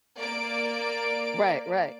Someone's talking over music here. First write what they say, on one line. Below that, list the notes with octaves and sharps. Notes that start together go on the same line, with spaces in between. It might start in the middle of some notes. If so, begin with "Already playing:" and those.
Right, right.
A#3 D5 D7